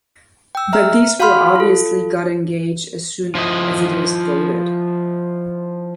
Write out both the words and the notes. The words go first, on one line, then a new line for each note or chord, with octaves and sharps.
But these will obviously got engage as soon as it is voted.
G5 E6
E5 A#5 F6
F#4 F5 F#5 B5 C6 F6
F4 A4
F3 E4 D#5